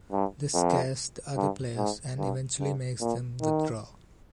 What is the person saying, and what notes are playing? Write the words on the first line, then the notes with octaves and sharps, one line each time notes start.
This scares the other players and eventually makes them withdraw.
G2
F2
G2
G#2
G2
G2
A#2
D#3